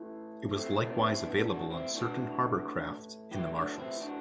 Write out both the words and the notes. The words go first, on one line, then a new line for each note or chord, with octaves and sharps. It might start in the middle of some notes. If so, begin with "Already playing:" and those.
It was likewise available on certain harbor craft in the Marshalls.
Already playing: A2 E3
A2 E3 A3 C4
A3 C4
B3 D4
C4 E4
B3 D4
D4 F#4
C4 E4
A2 E3 D4 F#4
A2 E3 E4 G4
D4 F#4
C4 E4
D4 F#4